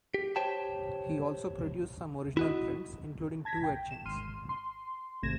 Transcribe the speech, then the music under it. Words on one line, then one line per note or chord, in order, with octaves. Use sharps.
He also produced some original prints, including two etchings.
G4
G4 C5 C#5 G5 A5
E4 F#4 D#5
A5 G#6 A#6 B6
G5
E7
G#1 C6 F6 D#7
C6
G#1 C3 A3 G#6 A#6 E7